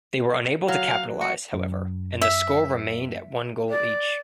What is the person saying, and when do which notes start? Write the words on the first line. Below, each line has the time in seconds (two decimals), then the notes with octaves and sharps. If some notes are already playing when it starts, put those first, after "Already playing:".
They were unable to capitalise, however, and the score remained at one goal each.
0.68 F#3 F5
1.21 F#4 C#7
1.54 F#2
2.22 E5
3.69 D5